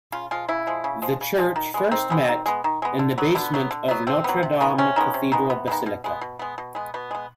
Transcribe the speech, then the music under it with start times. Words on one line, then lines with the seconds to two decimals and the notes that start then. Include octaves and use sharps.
The church first met in the basement of Notre-Dame Cathedral Basilica.
0.12 C#3 F4
0.31 F3 G#3 F4
0.48 C#3 E4
0.67 F3 G#3
0.84 C#3
1.02 F3 G#3
1.21 C#3
1.39 F3 G#3
1.56 D#3
1.74 G#3 B3
1.91 D#3 C4
2.10 G#3 B3
2.28 D#3
2.46 G#3 B3
2.64 D#3
2.82 G#3 B3
2.99 D3
3.18 F#3 B3
3.35 D3 B3
3.54 F#3 B3
3.71 D3
3.88 F#3 B3
4.07 D3 C4
4.24 F#3 B3
4.43 C3
4.60 D#3 G#3 B3
4.78 C3 C#4
4.96 D#3 G#3 B3
5.14 C3
5.32 D#3 G#3 B3
5.50 C3 B3
5.68 D#3 G#3 B3
5.86 B2
6.04 G#3 B3
6.21 B2
6.39 G#3 B3
6.58 B2
6.75 G#3 B3
6.94 B2 B3
7.11 G#3 B3